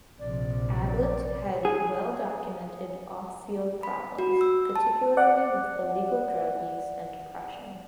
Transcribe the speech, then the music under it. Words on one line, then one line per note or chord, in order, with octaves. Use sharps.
Ablett had well-documented off-field problems, particularly with illegal drug use and depression.
A#1 C3 F3 D5
G#4
B5
F#4
E6
A5
D5 F#5